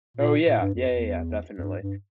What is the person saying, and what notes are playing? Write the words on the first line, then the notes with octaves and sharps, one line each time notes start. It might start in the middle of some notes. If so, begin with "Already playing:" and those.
Oh, yeah. Yeah, yeah, yeah, definitely.
A#2
A2
G2
F2
E2
F2
G2
G2